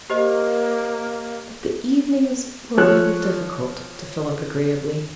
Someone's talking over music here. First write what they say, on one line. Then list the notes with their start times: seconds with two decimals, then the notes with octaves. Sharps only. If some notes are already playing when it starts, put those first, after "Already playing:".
But the evenings were rather difficult to fill up agreeably.
0.10 A#3 G4 C5 D#5
2.77 F3 A4 C#5 F#6